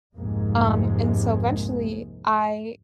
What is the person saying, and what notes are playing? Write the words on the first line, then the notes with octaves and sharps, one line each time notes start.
Um, and so eventually, I
C2 F2 G#2 C3 G#3 A#3